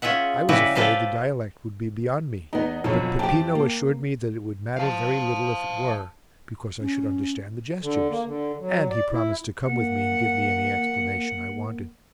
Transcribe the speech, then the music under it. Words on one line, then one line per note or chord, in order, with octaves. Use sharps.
I was afraid the dialect would be beyond me, but Peppino assured me that it would matter very little if it were, because I should understand the gestures, and he promised to come with me and give me any explanation I wanted.
C#4 F4 G#4 E5 F#5
C#3 G3 E4 F#4 G4 B4
F4 G4 A4 B4 C5 F5
E2 B3 D#4
F2 B2 D3 F#3 C#5
F2 G4 G5 A5
A#3
F5 A5
C#4
D3
A#3
D3
F#3
D5
E4
A#3 F#5